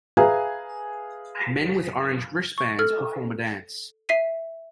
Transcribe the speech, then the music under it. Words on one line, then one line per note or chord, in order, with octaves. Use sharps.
Men with orange wristbands perform a dance.
G#4 B4 E5 F5 G#5 A#5
C#6
A4 F6
E5 B6 C7 D#7